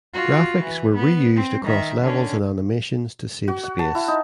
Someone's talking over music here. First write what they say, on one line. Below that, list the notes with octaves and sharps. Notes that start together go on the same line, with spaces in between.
Graphics were reused across levels and animations to save space.
F4 F#4
E3
B3
C4
D#3 E5
D3 C#4
F#4
F#5
A5
E4
D#4